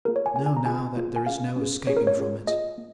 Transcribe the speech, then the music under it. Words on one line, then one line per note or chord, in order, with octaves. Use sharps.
I know now that there is no escaping from it.
A#3 F4 G#4 A#4
C#5
G#5
A#3 F4 G#4 G#5
G#5
A#5
A#3 F4 G#4 G#5
A#3 F4 G#4
G#5
C#4 G#4 F5
C#4
G#4
C#4 F4 G#4 C#5
A#4
C#5
C#4 F4 G#4
A#3 F4 G#4 D#5
A#3